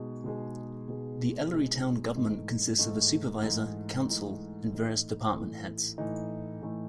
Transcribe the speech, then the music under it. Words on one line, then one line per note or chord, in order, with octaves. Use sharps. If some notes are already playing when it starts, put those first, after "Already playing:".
The Ellery town government consists of a supervisor, council, and various department heads.
Already playing: B2 G#3 D#4 G#4
B2 G#3 D#4 G#4
B2 G#3 D#4 G#4
B2 G#3 D#4 G#4
G#2 E3 A3 D#4
G#2 E3 A3 D#4
G#2 E3 A3 D#4
G#2 E3 A3 D#4
A2 E3 A3 D#4
A2 E3 A3 D#4
A2 E3 A3 D#4
A2 E3 A3 D#4